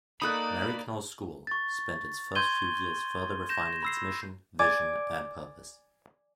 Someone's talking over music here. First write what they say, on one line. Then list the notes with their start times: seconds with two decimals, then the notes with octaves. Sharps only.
Maryknoll School spent its first few years further refining its mission, vision and purpose.
0.22 A#3 D#4 A4 D5 B5 D#6 F#6
1.47 C#6 A6
2.35 C6 G6 G#6 D#7 G7
3.49 G6 A#6 E7
3.83 B5 E6 C7
4.59 D5 G#5 D6 G#6